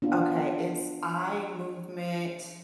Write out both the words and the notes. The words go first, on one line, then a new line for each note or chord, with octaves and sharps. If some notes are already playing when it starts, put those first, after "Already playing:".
Okay, it's eye movement
B3 D4 F4